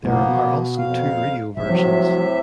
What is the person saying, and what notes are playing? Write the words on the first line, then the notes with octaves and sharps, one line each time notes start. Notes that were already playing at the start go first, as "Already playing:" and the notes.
There are also two radio versions.
F#1 B1 A2 F3 A#3 B3
B2
F2 F5
A#1 A2 C3 E5
F3 F#3